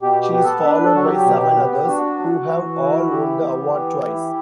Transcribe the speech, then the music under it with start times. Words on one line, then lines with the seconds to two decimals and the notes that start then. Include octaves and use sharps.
She is followed by seven others, who have all won the award twice.
0.02 B2 G4
0.23 G4
0.32 B3
0.44 A4
0.64 D4 B4
0.85 A4
0.95 F#3 F#4
1.05 G4
1.26 B2
1.57 B3
1.88 D4 F#4
2.19 F#3
2.49 E3
2.80 E4
3.11 E3 G4
3.42 B3
3.73 E3
4.04 E4